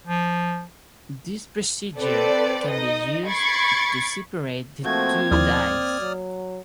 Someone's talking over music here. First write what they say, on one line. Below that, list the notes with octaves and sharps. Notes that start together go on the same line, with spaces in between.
This procedure can be used to separate the two dyes.
F3
C4 A4 B4 D5
D#4 D#5
B5 C#6 G#6 A6 C7 D7
F3 A3 A#3 C4 F#4 G#6
D#2 F3 E4 D5 D#6 F6
F#3